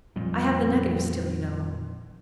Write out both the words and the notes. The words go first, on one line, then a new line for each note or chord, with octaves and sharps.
"I have the negative still, you know."
F2 A#2 G3